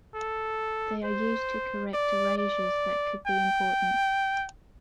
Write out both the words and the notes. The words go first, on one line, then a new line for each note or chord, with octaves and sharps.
They are used to correct erasures that could be important.
A4
C5
D5
D5
G5